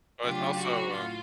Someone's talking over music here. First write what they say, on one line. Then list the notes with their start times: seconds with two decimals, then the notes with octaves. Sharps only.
But it's also um,
0.22 C#3 F#3 A3 D4 F4 G4
0.58 F#4
0.92 A2 F4